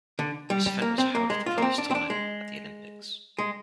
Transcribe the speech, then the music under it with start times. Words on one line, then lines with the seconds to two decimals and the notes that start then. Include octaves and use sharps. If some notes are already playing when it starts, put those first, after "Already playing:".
This event was held for the first time at the Olympics.
0.19 D3
0.50 G3
0.66 G3
0.82 A#3
0.98 C4
1.15 A#3
1.30 G#3
1.46 F4
1.58 A#3
1.62 C4
1.78 D4
1.91 C4
1.95 D4
2.10 G#3
3.39 G#3